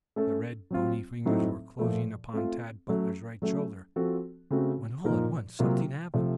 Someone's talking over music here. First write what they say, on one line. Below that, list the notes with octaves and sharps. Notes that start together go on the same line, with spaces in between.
The red, bony fingers were closing upon Tad Butler's right shoulder, when all at once something happened.
A3 C#4 A4
F#3 C4 F4
A2 F#3 C4 D#4 A4
A#2 F3 A3
A3 C4 F4
F#3 A3 C#4
F#3 A3 C#4
F3 C4 F#4 A4
C#3 A3 C4 F#4
A#2 F3 A#3 D#4 A#4
C3 F#3 A#3 F4
C3 F3 A3